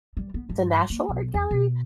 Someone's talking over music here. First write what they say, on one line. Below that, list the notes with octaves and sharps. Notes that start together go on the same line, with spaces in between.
the National Art Gallery?
G3
B3
G2
A#3
B1
E2
B2